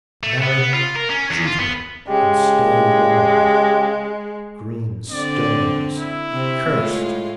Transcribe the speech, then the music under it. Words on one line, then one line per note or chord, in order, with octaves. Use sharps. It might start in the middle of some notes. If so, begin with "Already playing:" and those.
Marry her, cheat her, and stay young. Green stones, accursed.
A3
B3
F4
A#4
C#4
E2
F4
B3
C#3 G#3 G4
D3 C4 D5
E4
C3 C4
A2 G#3 F4